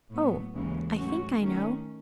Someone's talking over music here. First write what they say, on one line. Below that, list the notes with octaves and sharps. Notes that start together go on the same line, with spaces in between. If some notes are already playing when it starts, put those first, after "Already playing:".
Oh, I think I know.
A2 F#3 B3
D#2 C#3 E3 G#3
G#2 F#3 A3 C#4 F#4
D#3 A3 C#4